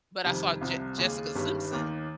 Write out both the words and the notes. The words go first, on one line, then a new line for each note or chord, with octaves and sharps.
but I saw Jes Jessica Simpson
F2 C3 D#3 G3
C2 C3 F3 C4
D#2 C#3 G#3 C#4 G#4
G1 G2 D#3 G3 C#4
D#2 D#3 A#3